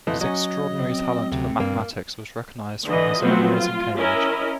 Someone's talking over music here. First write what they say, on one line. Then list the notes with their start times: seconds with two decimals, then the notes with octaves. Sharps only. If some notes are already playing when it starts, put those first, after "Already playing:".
His extraordinary talent for mathematics was recognised from his early years in Cambridge.
0.07 F2 E3 A3 D#5
0.21 F#3 C#4 D#5
0.72 C#3
0.90 C4
1.31 D2 C3
1.60 G2 A#3
2.85 D3 E3 D#5
3.21 F3 F#3 A3 B3 C4 F#4
3.55 F4
3.98 C#4 E4 A#4 D#5